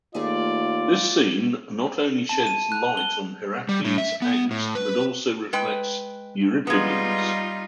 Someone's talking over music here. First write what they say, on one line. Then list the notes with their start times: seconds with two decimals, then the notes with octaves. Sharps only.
This scene not only sheds light on Herakles' angst but also reflects Euripides'.
0.15 D#2 A3 F4 G#4 D5
2.29 A5
2.47 D#7
2.72 F#6
2.97 G7
3.69 G3
3.84 A2
3.98 E5
4.22 B3
4.51 A2
4.75 B4
5.53 G#3 B4 G5
6.67 G3 G#3 B3 D#4 F4